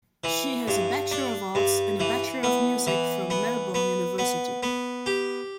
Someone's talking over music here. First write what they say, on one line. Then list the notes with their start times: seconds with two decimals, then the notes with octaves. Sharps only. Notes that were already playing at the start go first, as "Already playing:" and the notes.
She has a Bachelor of Arts and a Bachelor of Music from Melbourne University.
0.24 E3
0.68 G2
1.11 D4
1.55 G2
2.00 E3
2.43 B3
2.87 E3
3.30 B3
3.74 B3
4.18 B3
4.63 B3
5.06 G4